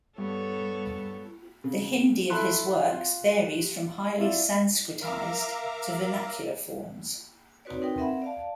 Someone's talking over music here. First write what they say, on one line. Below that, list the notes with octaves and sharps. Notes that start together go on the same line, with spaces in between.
The Hindi of his works varies from highly sanskritized to vernacular forms.
G2 B3 A4 C#5
C#3
E4 A4 A5 B5 C6 F#6
F4
E4 F4 D5
A#4 E5 F5 A#5 D6
C4 D#4 F#4 B4 C#5 D5
C4 D#4 A#4 B4 G5
C4 A#4 E5 F#5 B5
D5 F5 A5